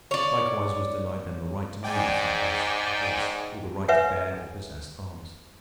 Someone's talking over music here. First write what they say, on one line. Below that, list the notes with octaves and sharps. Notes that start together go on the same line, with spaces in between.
Likewise was denied them the right to move from place to place, or the right to bear or possess arms.
C#5 D5
G#2 D5 G5 G#5
B4 C#5 E5 F#5 G#5